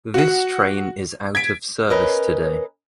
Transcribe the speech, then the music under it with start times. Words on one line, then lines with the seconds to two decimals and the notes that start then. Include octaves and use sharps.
This train is out of service today.
0.14 F#4 F#5
1.35 G#6 B6 D7
1.90 C#4 A#4 B4 D#5